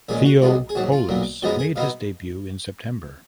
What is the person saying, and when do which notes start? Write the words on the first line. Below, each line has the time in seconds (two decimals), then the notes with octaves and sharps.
Theo Poulos made his debut in September.
0.09 A#1 A#2 G#3 C#4 G#4
0.25 F#4
0.42 B1 B2 G#3 F4
0.69 G#4
0.75 A#1 G#2 F#3 F#4
0.92 F4
1.09 B1 A#2 F#3 A#3
1.42 F#2 F3 G#3 B3 D#4 F#4
1.59 G#4
1.76 B2 F#3 B3 D#4 F5